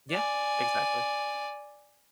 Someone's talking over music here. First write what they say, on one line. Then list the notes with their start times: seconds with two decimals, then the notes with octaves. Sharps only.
Yeah, exactly.
0.11 D5 G#5